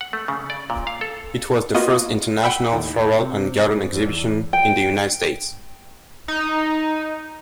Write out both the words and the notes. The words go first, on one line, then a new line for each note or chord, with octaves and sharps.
It was the first International Floral and Garden Exhibition in the United States.
F#5
A3
C#3
D5
A#2
F5
A4
A#3 B3 F4 F#4 D#5
F#5 G5 B5 E6
D#2 A2
C3
G#2
E2
G5
D#4